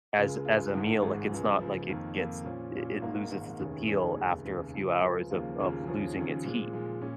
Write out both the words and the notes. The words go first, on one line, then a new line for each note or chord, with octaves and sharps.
as as a meal, like, it's not like it gets i it loses its appeal after a few hours of of losing its heat,
C#2 C#3 G#3 F4
C#2 C#3 G#3 F4
G#1 G#2 G#3
G#1 G#2 G#3
C#2 C#3 F3
C#2 C#3 F3
F2 D#3 A#3
F2 D#3 A#3
A#2 F3 C#4
A#2 F3 C#4
G#1 G#2 D#3 A#3
G#1 G#2 D#3 A#3
F1 D#2 D#3 C#4 G#4
F1 D#2 D#3 C#4 G#4
F1 D#2 C#3
F1 D#2 C#3
C#2 C#3 F3
C#2 C#3 F3
D#2 C#3 F3 A#3 F4
D#2 C#3 F3 A#3 F4
D#2 C#3 F3 C#4 G#4
D#2 C#3 F3 C#4 G#4
A#2 F3 G#3
A#2 F3 G#3
A#2 C#4